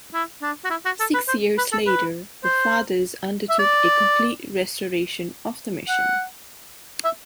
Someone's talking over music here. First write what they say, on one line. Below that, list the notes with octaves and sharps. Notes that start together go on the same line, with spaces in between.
Six years later, the fathers undertook a complete restoration of the Mission.
E4
D4
F#4
E4
F#4
A4
B4
C5
B4
A4
B4
C5
E5
D5
F#5
E5